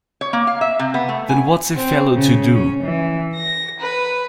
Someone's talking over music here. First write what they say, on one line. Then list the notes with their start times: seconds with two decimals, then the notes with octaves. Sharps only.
Then what's a fellow to do?
0.21 C#5
0.33 A#3
0.47 F5
0.61 E5
0.79 C3
0.94 B3
1.09 A3
1.29 G#5
1.77 C4
2.13 C#3
2.53 C#4
2.83 E3
3.36 A#6
3.81 B4